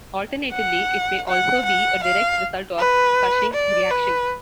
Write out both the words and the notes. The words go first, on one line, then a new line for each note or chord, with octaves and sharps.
Alternatively, it may also be a direct result of Cushing reaction.
F#5
F#5
F#5
F5
B4
D5
B4